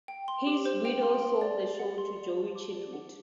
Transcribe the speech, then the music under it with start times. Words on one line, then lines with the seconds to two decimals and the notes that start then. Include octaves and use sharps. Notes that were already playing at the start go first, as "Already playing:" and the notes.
His widow sold the show to Joie Chitwood.
0.08 G5
0.28 C6
0.47 G4
0.65 C5
0.85 G5
1.03 C6
1.22 C6
1.41 D5
1.60 D5
1.79 F#5
1.98 C6
2.16 D5
2.37 A5
2.55 D6
2.74 D5
2.93 F#5